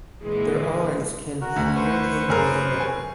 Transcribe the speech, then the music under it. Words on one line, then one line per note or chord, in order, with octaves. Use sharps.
Their eyes can be nearly in diameter.
A#2 D3 E3 G#3
F#4 A#4
D2
B4 C5 C#6
F#2 G#4 A#4
G#5